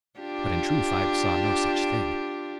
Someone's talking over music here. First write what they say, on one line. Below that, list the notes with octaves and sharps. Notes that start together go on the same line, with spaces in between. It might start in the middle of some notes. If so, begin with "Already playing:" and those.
But in truth I saw no such thing.
D4 F4 G4